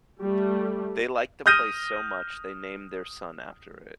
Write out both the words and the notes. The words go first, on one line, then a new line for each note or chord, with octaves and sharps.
They liked the place so much they named their son after it.
G3 A3
D#6 F6 G6 A#6 D#7